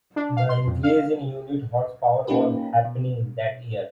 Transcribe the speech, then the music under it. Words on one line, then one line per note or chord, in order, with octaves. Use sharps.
The increase in unit horsepower was happening that year.
D4
F5
C6
F2
F5
A#3 C#4 D#4 F4 G4 B4
B2